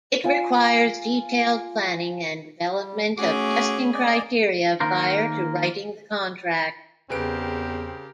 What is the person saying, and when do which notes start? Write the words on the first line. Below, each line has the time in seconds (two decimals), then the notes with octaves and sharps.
It requires detailed planning and development of testing criteria prior to writing the contract.
0.24 F4 G#5
2.72 G3
3.17 A3 C#4 F#4 G#4 D6
3.93 D5 D#5 G#5
4.80 D#3 A#3 A#4 C5
7.10 E2 C#3 C4 G4 A#4 B4 D7